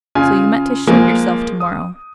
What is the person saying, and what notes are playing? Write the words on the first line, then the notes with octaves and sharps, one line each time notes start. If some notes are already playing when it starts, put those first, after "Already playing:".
So you meant to shoot yourself to-morrow!
C#3 F4 G#5
F3 G#3 A#3 G#5
D#6